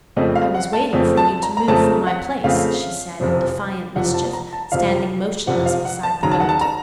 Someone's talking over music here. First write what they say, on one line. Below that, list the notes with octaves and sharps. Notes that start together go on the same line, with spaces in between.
"I was waiting for you to move from my place," she said in defiant mischief, standing motionless beside the boat.
F2 C#3 A3 C4 D#5
F5
F#5
A5
F2 C#3 A3 C4
A5
A#5
A#5
F2 C#3 A3 C4 A5
F#5
F2 C#3 A3 C4 F5
F#1 F2 C3 F3
F#1 F2 C3 F3 F#5
A5
A#5
A5
F#1 F2 C3 F3 F5
F#1 F2 C3 F3 F#5
F5
F#5
A5
D#2 C#3 F#3 A#5
A5
F#5
A5
A#5